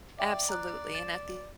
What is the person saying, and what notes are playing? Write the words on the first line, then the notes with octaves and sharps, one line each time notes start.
Absolutely, and at the
D5 E5 G5
A#5 F#6
A6 E7